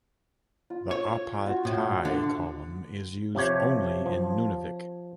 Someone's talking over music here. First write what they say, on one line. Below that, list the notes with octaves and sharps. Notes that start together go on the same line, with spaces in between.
The "ai-pai-tai" column is used only in Nunavik.
F4
C#5
F4 F#4
A2
D3
C3 F3 G4 C#5
F3